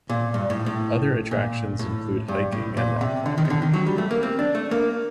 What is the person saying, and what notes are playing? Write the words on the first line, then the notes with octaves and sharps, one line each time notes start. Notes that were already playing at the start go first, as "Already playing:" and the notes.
Other attractions include hiking and rock climbing.
A#2
G2
A2
A2
A#2
A2
G2
A2
A#2
C3
D3
D#3
C3
D3
D#3
F#3
G3
A3
A#3
C4
D4
A3
A#3